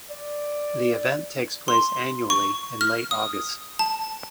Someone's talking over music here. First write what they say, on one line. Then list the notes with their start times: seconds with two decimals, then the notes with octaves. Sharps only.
The event takes place annually in late August.
0.11 D5
1.68 C6
2.30 C#6
2.81 F6
3.11 D#6
3.79 A5